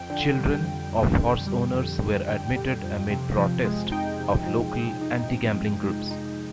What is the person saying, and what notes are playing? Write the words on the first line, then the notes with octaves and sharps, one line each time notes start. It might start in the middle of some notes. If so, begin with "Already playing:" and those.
Children of horse owners were admitted amid protest of local anti-gambling groups.
Already playing: F2 G5
D3
G3
F2
F2
D3
G3
F2
F2
D3 G5
G3
F2
C3
F3
G#3
D#4 G5
C3
F3
G#3
D#4
C3
F3
G#3
D#4